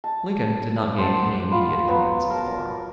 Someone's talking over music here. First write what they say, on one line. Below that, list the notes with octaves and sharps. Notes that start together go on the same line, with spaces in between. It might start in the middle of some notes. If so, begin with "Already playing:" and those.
Lincoln did not gain any immediate eminence at the bar.
A5
C5 D5 F#5 A5
F4 B5
F#3 B3
A#4 A5